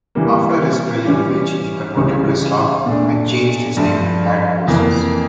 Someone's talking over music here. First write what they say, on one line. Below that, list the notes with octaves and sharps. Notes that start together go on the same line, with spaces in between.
After his pilgrimage he converted to Islam and changed his name to Hag Moses.
E3 G3 A#3
E3 G3 C#4 G4
C#2 C#3 E3 G3
A#2 A3 D4
G2 F3 A3
F2 E3 A#3